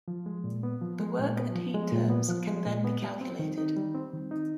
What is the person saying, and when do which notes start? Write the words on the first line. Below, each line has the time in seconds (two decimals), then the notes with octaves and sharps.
The work and heat terms can then be calculated.
0.08 F3
0.26 G#3
0.44 A#2
0.63 B3
0.81 F3
0.99 G#3
1.19 A#2
1.37 B3
1.55 F3
1.74 G#3
1.92 A#2
2.10 B3
2.29 F3
2.47 G#3
2.66 A#2
2.84 B3
3.02 G3
3.21 C4
3.39 D#3
3.58 D#4
3.77 G3
3.95 C4
4.13 D#3
4.31 D#4